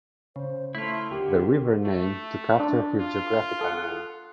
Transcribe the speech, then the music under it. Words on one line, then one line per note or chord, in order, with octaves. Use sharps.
The river name took after this geographical name.
C#3 C5
A3 E4 F4
D3 G4 A#4
A3
D4
F4
A4 F#5